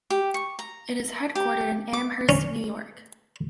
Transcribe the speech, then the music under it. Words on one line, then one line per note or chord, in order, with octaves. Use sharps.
It is headquartered in Amherst, New York.
G4
C#6
A#5
G4
D6
C#4